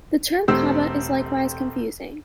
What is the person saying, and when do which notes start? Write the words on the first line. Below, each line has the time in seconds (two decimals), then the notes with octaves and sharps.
The term Kaba is likewise confusing.
0.48 E1 A3 C4 G4 C5 E6